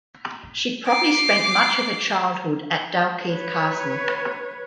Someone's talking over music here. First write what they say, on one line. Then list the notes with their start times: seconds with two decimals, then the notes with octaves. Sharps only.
She probably spent much of her childhood at Dalkeith Castle.
0.86 D6 C7
3.28 B4 C#5